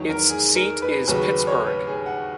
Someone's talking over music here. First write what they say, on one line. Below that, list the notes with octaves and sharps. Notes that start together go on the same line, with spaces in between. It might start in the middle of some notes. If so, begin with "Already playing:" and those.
Its seat is Pittsburg.
Already playing: E2 D#3 F#3 C#5
A#4
G#4
A#4
B4
D#2 C#3 F#3 B4
B4
C#5
B4
G#4
F#5